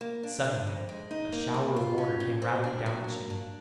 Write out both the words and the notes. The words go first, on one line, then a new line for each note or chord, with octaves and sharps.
Suddenly a shower of mortar came rattling down the chimney.
A#3
D4
D3
F2
G#3
D#4
A#3
G3
F4
C#4
A#2
C4
D4
F#3
A#3
D4